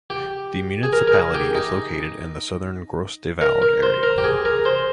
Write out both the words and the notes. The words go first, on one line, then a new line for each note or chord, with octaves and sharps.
The municipality is located in the southern Gros-de-Vaud area.
G4
G#4
A#4
A#4
G#4
G4
D#4
A#4
A#4
C5
A#4
G4
G#4
A#4
C5